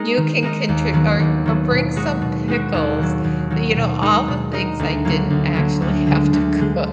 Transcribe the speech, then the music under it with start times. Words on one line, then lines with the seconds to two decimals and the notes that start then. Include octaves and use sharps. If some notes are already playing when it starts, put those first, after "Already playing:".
"You can contri or or, bring some pickles,” you know, all the things I didn't actually have to cook.
Already playing: G#3 D#4 A#4 D#5
0.17 D#3
0.43 G#3 D#4 A#4 D#5
0.69 D#2
0.93 D#3 F#3 B3
1.20 D#2
1.46 D#3 F#3 B3
1.71 B2
1.96 G#3 D#4 F#4
2.22 B2
2.48 G#3 D#4 F#4
2.74 D#2
2.99 D#3 F#3
3.25 D#2
3.50 D#3 F#3
3.76 B2
4.01 G#3 D#4 A#4 D#5
4.28 B2
4.53 G#3 D#4 A#4 D#5
4.79 D2
5.05 D3 F#3 A#3
5.30 D2
5.55 D3 F#3 A#3
5.82 D2
6.07 D3 G#3
6.33 D2
6.59 D3 G#3